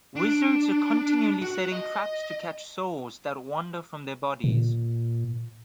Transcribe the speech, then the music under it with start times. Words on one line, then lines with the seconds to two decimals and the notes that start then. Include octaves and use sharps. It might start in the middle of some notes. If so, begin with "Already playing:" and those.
Wizards are continually setting traps to catch souls that wander from their bodies.
0.16 D4
1.42 F#4
1.72 D#5
4.44 A#2